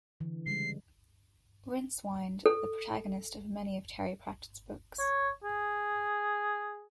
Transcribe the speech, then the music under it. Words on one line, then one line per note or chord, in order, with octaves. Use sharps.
Rincewind, the protagonist of many of Terry Pratchett's books.
D3 E3
C#3 G3 G#3 C7
A4
C#5
G#4